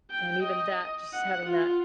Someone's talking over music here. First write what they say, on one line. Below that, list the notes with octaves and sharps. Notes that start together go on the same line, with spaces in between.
and even that, just having that,
G5
D#5
F#5
F4